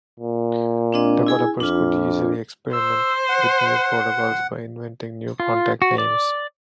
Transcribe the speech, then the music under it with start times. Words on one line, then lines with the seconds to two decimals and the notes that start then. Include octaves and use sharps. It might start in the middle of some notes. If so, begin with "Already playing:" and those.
Developers could easily experiment with new protocols by inventing new contact names.
0.20 A#2
0.92 C4 D4 D#5
1.27 E4 G#4 G#5
1.60 F2 D4 F4
2.73 C5 E6
3.29 F#5
5.40 F4
5.82 F#4
5.98 D5